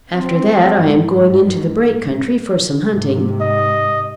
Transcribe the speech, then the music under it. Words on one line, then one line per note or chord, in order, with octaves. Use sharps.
After that I am going into the Brake country for some hunting.
C4
G#2
G#2 C3
D#5